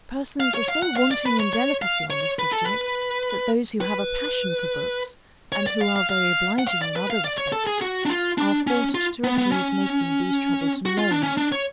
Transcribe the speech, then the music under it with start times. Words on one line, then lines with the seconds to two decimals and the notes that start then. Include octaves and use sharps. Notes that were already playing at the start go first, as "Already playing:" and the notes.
Persons are so wanting in delicacy on this subject, that those who have a passion for books, and who are very obliging in other respects, are forced to refuse making these troublesome loans.
0.40 F5
0.54 C#5
0.69 F5
0.82 F#5
0.97 F5
1.11 D5
1.26 B4
1.40 C#5
1.53 C#5
1.82 F5
2.10 C#5
2.39 B4
2.52 A4
2.65 B4
3.81 B4
5.52 C#5
5.67 D5
5.81 F5
5.96 F5
6.09 F5
6.59 F#5
6.68 F5
6.82 D5
6.96 B4
7.10 F5
7.25 D5
7.38 C#5
7.53 A4
7.67 G#4
7.82 F#4
8.06 D4
8.10 F4
8.38 D4
8.67 C#4
8.95 F4
9.24 B3
9.38 B3
9.52 C#4
10.86 F#4
10.98 F4
11.11 D4
11.23 C#4
11.37 D4
11.52 C#5